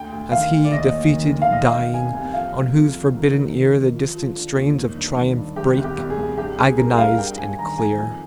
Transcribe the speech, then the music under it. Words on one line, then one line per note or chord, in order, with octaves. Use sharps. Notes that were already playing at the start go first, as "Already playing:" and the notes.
As he, defeated, dying, On whose forbidden ear The distant strains of triumph Break, agonized and clear!
Already playing: D2 G5
D2
D#3 F5
D2
D5
D#2 D#5
D#2
D#3
D#3
F5
D#3 D#5
F5
D#3 G5
C3 G#5
C2 G#5
F2 F5
F2
F2
F2
D#3 A#4
D#3
D#3
D#3
F3
F3
D3
D#2
D#3
G2
D#3
G2
D#3 G4
C2
G4
C2
G#4
C2
G2 G4
G2 G#4
G2 A#4
G2 F5
G2 G5
G2 G#5
D#3 A#5
D#3 G#5
F2 G#5